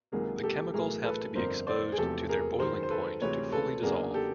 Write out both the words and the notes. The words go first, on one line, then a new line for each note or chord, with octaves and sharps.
The chemicals have to be exposed to their boiling point to fully dissolve.
C#2 C3 D#3 F#3 A#3 G#4 A#4
G4 A4
B1 A2 E3 A3 G#4 A#4
A4 B4
G1 F2 D3 A#4 C5
C5 D5
G#4
E1 E2 C3 F3 A3 G4 A4
G#4 A#4
F#2 D#3 G#3 A#4 C5
C5
A4 B4
D2 C3 E3 G#3 C4 B4 C#5
A4 B4
E2 C#3 F#3 A#3 D4 G#4 A#4
G4 A4